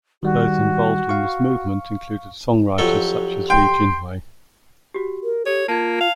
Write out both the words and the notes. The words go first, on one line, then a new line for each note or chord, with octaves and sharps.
Those involved in this movement included songwriters such as Li Jinhui.
D#3 G3 F#4
F5 C#6
F2 F#3 G4 A4
G5 C6
F#4 G4
A#4
G4 A4 C#5
A#3 F4 A5 G#6
F5